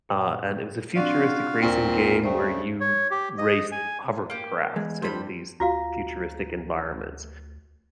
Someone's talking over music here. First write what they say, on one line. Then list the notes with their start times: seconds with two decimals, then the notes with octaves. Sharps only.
uh, and it was a futuristic racing game where you race hovercrafts in these futuristic environments,
0.09 A#2 G5
0.95 C4 D4 F4 F#4 D5 F5
1.61 D#2 A#2 C4 D5 C#6
2.24 C#3 A3 C5 D5 G5
2.81 C#5
3.11 G4
3.38 D#5
3.72 G#5
4.30 A#3 G4
4.76 E2 G#3
5.02 G2 G3 C5 B5
5.60 D2 F4 F#4 F5 A#5